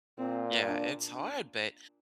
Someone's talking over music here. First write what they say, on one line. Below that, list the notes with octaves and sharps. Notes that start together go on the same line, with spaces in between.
Yeah, it's hard, but
A#2 C4
D4